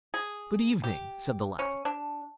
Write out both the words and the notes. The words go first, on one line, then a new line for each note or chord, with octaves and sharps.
'Good evening!' said the lad.
G#4
G4
C#4
D4